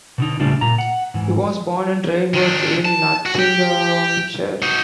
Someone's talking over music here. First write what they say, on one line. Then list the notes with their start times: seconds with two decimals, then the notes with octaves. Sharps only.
He was born in Rainworth in Nottinghamshire.
0.18 B2 D3 D#4
0.40 A2 C#3 G3 A3 D4 F4
0.61 A#2 A#5
0.78 F#5
1.14 G#2 E3
2.34 D#3 D4
2.85 A5
3.26 F#4
3.39 G4
4.62 D#4 F#4